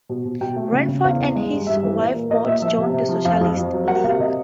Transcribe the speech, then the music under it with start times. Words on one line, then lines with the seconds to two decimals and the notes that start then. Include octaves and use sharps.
Radford and his wife both joined the Socialist League.
0.09 B2
0.25 B2
0.41 B2 G5
0.56 A3
0.72 C#3
0.88 C#3
1.04 E2 F5
1.20 E2
1.36 G#3
1.51 G2
1.67 G2 E5
1.83 E3
1.99 A#2
2.14 A#3
2.30 A#2 D#5
2.46 A#2 E5
2.62 F3 E5
2.78 C3
2.94 C3
3.09 F3
3.25 F2 F5
3.41 F2
3.57 F2
3.73 F#3
3.88 A#3 F#5
4.04 C3 F5
4.19 C3 D#5